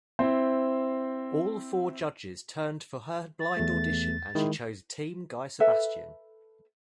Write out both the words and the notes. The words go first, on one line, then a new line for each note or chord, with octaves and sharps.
All four judges turned for her blind audition and she chose Team Guy Sebastian.
C4 E4 C5
A6
E2 A3
D#3 G#3 E4
A4 B4 E5